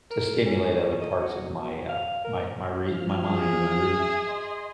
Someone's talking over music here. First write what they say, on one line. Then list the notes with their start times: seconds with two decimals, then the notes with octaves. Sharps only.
to stimulate other parts of my, uh, my my rea my mind and my reading.
0.10 A#4
0.46 C#4
0.76 C#5
1.01 D#5
1.19 F#3
1.62 F#3
1.89 F5
2.25 A#4
2.91 F3 F6
3.28 G#4
4.00 E5 G#5
4.28 D#5 C6